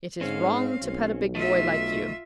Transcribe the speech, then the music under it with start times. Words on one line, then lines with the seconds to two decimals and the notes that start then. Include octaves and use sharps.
It is wrong to pet a big boy like you.
0.21 G#2 C4 C#4 F5
0.83 B1
1.35 A3 D#4 F4 E5